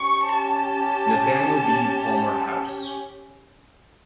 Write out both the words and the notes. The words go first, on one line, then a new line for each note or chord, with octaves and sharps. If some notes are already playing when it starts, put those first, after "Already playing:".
Nathaniel B. Palmer House.
Already playing: C#4 G4 C#6
A5